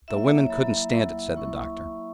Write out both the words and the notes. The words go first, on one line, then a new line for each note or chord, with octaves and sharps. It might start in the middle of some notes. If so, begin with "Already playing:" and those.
"The women couldn't stand it," said the Doctor.
F#3 A#3 E4 E5
E5
E5
C#5
F#3 A#3 E4 B5
F#3 A#3 E4
F#3 A#3 E4 C#6